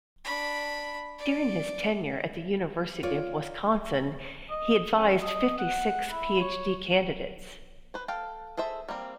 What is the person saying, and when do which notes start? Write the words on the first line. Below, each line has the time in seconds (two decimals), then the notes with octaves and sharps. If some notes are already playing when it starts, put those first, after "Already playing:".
During his tenure at the University of Wisconsin, he advised fifty six Ph.D. candidates.
0.25 D4 B5
1.18 D5
3.03 F4 C#5 D5
4.50 D#5
4.96 C#4
5.22 D#5
5.58 F#5
6.10 E4
6.40 C#5
7.94 B4 C5
8.08 A4 F5 G5
8.57 G#4 A4 C5 E5
8.88 G3 A#3 C4